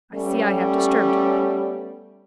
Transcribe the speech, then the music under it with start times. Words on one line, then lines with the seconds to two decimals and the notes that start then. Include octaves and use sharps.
I see I have disturbed you.
0.13 G3 A3 B3 C#4